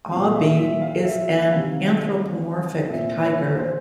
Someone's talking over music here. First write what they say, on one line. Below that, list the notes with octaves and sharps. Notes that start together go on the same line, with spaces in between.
Aubie is an anthropomorphic tiger.
A#2 F3 F5
E5
E5
F5
E5
E5
C3 D#3 F5
A#2 F3 E5
C#5
C5